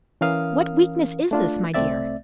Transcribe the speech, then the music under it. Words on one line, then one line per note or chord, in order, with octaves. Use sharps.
What weakness is this, my dear!
E3 C#4 A#4 F5 D#6 F6
A3 D4 F4
C2 A3 C4 D5 E5 A6